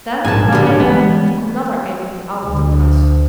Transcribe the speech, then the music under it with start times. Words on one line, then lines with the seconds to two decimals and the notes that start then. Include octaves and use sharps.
Then Grandmother took another apron out of the press.
0.25 A#1 G#2 G#5 A5
0.53 D3 G3 G4
0.67 C#4
0.80 E3 G#3 B3
2.46 D2